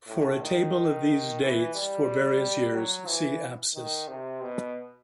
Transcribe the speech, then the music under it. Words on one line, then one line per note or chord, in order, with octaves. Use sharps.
For a table of these dates for various years, see Apsis.
A2
D#3
E3
G3
F#3
E3
D#3
C3
B2